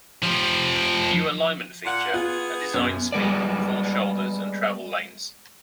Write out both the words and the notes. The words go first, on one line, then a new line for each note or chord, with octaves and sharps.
The new alignments feature a design speed, full shoulders, and travel lanes.
F3 G4
A#2 F#5
B3 F4 G#4
F#2 B2
G3 G#3 B3 D5